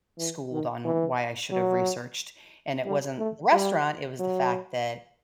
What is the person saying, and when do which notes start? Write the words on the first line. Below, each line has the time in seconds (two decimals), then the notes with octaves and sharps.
schooled on why I should have researched, and it wasn't the restaurant, it was the fact that
0.18 E3
0.52 D#3
0.85 E3
1.52 F#3
2.86 G3
3.19 A3
3.53 G3
4.19 F#3